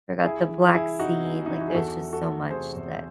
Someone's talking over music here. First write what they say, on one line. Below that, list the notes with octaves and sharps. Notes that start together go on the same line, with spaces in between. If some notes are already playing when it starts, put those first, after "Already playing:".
forgot the Black Sea, like, there's just so much that
C2 E4 G#4
E3
C2 E4 G#4
C3 D#4 F#4
C2
D#4
E3 E4
F#4
G#4
E2 F#4 A4
E3
F#4 A4
A3
C3 G#4 C5
E2